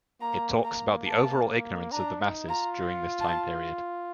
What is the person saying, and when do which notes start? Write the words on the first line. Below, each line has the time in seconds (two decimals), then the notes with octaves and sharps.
It talks about the overall ignorance of the masses during this time period.
0.21 A#3 A#5
0.63 A#3 A#5
1.06 A5
1.92 D4 A#5
2.20 D#4
2.48 F4 A#5
3.20 A5